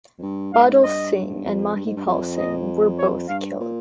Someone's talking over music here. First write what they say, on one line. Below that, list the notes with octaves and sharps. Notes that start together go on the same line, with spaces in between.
Badal Singh and Mahipal Singh were both killed.
F2
G2
G#2 F5
G#2
G2 D#5
F2
G2
G#2
G2
F2
D#5
C#5
G2 F5
A#2